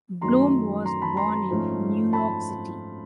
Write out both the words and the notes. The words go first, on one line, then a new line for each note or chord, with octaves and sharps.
Bloom was born in New York City.
F#2 D#3 F#3 A3 A#5 C6
A#5 C6
A5 B5
A#5 C6
G#2 F3 A3 C#4
A5 B5